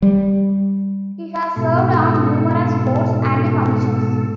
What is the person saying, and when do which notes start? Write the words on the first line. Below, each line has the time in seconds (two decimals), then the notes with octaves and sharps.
He has served on numerous boards and commissions.
0.02 G3
1.56 G#2 B2 A4